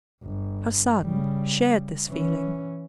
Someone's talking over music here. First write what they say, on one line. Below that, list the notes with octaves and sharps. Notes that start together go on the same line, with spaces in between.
Her son shared this feeling.
G1
C#3 G3
E3 C#4